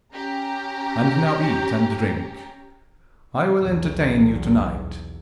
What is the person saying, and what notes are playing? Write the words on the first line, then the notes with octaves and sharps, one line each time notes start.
And now eat and drink; I will entertain you to-night.
C#4 G4 A#5
B1 E2